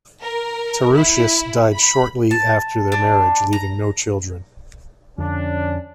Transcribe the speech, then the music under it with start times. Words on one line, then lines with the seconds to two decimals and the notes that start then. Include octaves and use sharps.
Tarutius died shortly after their marriage, leaving no children.
0.22 A#4
0.95 E4
1.74 B5
2.31 A5
2.92 D4
3.53 A#5
5.18 F2 D3 C#4 D4